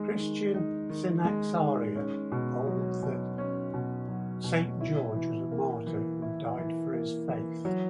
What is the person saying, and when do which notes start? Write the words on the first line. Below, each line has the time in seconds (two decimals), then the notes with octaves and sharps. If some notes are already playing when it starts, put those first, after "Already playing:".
Christian synaxaria hold that Saint George was a martyr who died for his faith.
Already playing: D#3 G#3
0.18 D#3
0.54 D#4
0.89 D#3
1.25 G#3
1.61 D#3
1.96 C#4
2.32 B2
2.67 F#3
3.03 B2
3.38 C#4
3.74 B2
4.09 F#3
4.44 B2
4.81 E4
5.16 E3
5.52 A#3
5.86 E3
6.22 E4
6.58 E3
6.93 A#3
7.29 E3
7.65 F#3